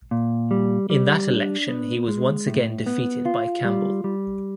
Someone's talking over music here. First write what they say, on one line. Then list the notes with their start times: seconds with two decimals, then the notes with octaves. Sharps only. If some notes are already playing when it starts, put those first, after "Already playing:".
In that election he was once again defeated by Campbell.
0.11 A#2
0.51 G3
0.90 G3
1.29 D4
1.68 B3
2.08 G#3
2.47 A2
2.86 B3
3.26 F4
3.65 G3
4.04 G3